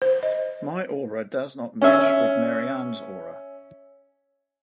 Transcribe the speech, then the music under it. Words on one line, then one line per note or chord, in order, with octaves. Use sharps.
My aura does not match with Marianne's aura.
C5
D#5
C#4 E5